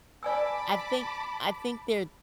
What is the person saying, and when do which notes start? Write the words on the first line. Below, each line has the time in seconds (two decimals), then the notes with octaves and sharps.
I think I think they're
0.23 D5 G#5 A5 B5 D6 E6